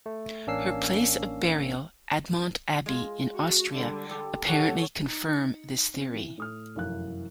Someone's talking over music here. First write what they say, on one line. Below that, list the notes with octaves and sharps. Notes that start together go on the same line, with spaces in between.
Her place of burial, Admont Abbey in Austria, apparently confirm this theory.
A3
A1 A#3 C#4 D4 E6 C7
G#3 F4
F#4
D3 G3
G4 A4
G4 A4 C#5 F#5
D#4 C#7
C4
E3
A2 D#6 F6
F1 F#2 E3 F5 F#6